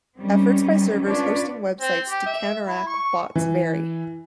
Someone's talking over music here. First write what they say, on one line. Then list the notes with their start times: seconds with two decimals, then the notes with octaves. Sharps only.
Efforts by servers hosting websites to counteract bots vary.
0.19 D#3 G3 C4 C#4
1.06 C#4 D4 F4 B4 C#5 D5
1.80 C4
2.10 G4
2.26 E5
2.68 E4
2.87 C#6
3.35 E3